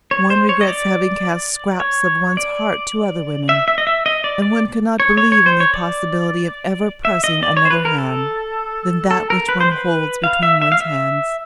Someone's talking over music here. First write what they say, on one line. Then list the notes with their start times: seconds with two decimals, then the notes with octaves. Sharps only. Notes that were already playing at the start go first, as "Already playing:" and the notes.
One regrets having cast scraps of one's heart to other women, and one can not believe in the possibility of ever pressing another hand than that which one holds between one's hands.
0.11 C#5
0.30 C5
0.49 C#5
0.61 D#5
0.68 D5
1.80 C#5
2.37 D5
3.49 E5
3.68 E5
3.78 D#5
3.87 E5
4.06 D#5
4.24 D5
4.42 D5
5.00 C#5
5.17 C#5
5.32 C#5
5.46 C5
5.60 C#5
5.74 D5
7.05 E5
7.24 D#5
7.43 D5
7.57 C#5
7.65 C5
7.70 B4
7.85 A#4
7.98 A4
9.11 A4
9.30 A#4
9.49 B4
9.61 C5
9.72 B4
10.24 F5
10.43 E5
10.62 E5
10.72 F5
10.80 E5